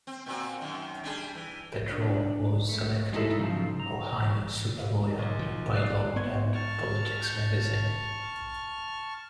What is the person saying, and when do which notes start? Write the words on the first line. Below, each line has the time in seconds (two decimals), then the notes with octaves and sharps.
Petro was selected "Ohio Super Lawyer" by Law and Politics magazine.
0.07 C4
0.26 A#2 C4 F#4
0.61 F#2 D#3
1.04 G3 D4 G#4
1.35 E3
1.92 D4
2.69 A3
3.13 G#3 D#4 E4 A4
3.38 G#2 C#3 F3 F#3 D#4 A5
3.80 A#5
4.22 E3
5.19 B1
5.39 D#3 F3
5.74 D5 F#6 C7
6.16 B3 C6 C#6 G#6
6.54 A5 C#6 F6